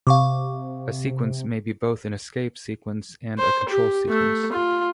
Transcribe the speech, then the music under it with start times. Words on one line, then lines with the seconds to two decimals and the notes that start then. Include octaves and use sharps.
A sequence may be both an escape sequence and a control sequence.
0.07 C3 F5 C#6 D6
3.38 C5
3.69 G4
4.09 A3
4.52 F4